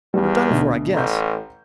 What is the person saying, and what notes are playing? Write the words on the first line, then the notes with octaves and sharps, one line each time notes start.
"We're done for, I guess."
E2 G3
D2 B2
A1 A#5 G6